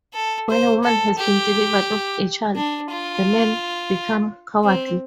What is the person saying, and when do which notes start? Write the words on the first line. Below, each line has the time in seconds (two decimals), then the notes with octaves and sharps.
When a woman has been delivered of a child, the men become cowardly.
0.14 A4
0.49 C5
0.84 A4
1.19 G4
2.56 D4
2.91 F4
4.64 C4